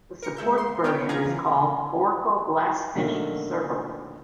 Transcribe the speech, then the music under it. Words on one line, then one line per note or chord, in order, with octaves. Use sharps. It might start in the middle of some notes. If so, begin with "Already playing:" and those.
The supported version is called Oracle GlassFish Server.
A#4 C#7
G#3 E5 G6
C6
B3 A#4 C#5 G5 D7
F4 G#4 F5 A#5 G#6
E2
B2 D3 D#3 F#3 A3 A#3